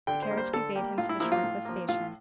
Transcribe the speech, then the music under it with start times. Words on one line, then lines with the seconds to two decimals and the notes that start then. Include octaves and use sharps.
The carriage conveyed him to the Shorncliffe station.
0.07 D3 G5
0.23 C5
0.31 G3 A#3
0.37 C5
0.54 D3 A4
0.75 G3 A#3 G4
0.98 A2 F4
1.09 E4
1.20 F3 A#3 E4
1.32 F4
1.43 A2
1.65 F3 A#3
1.88 A2 F4